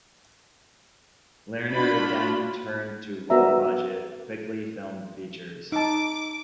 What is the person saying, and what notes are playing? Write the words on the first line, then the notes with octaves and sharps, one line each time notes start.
Lerner then turned to low-budget, quickly filmed features.
D4 F4 F#4 B5
B3 F#4 A#4 D5 E5 A#5
D#4 A5 D6